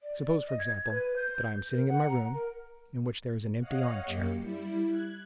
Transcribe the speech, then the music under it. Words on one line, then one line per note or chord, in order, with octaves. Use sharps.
Suppose, for example, that I am sitting in my room, in which there is an empty arm-chair.
D5
D5
D#5
G#6
B4
G6
A#4
F#5
A#5
A#4
C#5 D#5 F5 F#5
F#2 A#3 G4 C#7
G3 E4
F#6 G#6